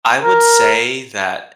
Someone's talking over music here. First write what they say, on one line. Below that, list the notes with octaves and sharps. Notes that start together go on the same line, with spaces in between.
I would say that
A#4